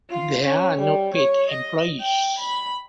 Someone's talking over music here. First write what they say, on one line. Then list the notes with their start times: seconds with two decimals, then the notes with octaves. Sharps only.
There are no paid employees.
0.10 F4
0.44 C#4
0.79 G3
1.14 C#5
1.50 D#5
2.01 G5
2.39 B5